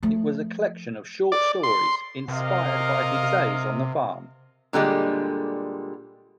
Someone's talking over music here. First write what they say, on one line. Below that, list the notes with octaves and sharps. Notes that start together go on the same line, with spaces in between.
It was a collection of short stories inspired by his days on the farm.
F3 A3
D5
C6
C3 A#4 D#5 F5
A#2 D3 G3 G#3